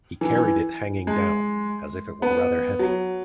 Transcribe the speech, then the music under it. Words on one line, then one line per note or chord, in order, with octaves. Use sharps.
He carried it hanging down, as if it were rather heavy.
E3
E3
G#3
B3
F#3